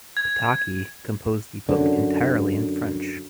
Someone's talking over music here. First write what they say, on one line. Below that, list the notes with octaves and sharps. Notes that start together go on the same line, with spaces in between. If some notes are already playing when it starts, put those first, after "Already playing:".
Potocki composed the book entirely in French.
G#6
F#2 D3